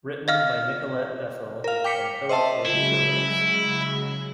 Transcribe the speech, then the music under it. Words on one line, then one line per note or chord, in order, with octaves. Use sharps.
Written by Nicolette Bethel and Philip A. Burrows.
D#5 F5 F6
A#4 F5
G5 D6 B6 C#7
C5 D#5 E5 A5 C6
C#3 F#3 G#3 E4